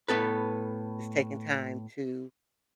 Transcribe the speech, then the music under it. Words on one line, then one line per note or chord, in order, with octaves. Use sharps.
just taking time to,
A2 B3 A4 B4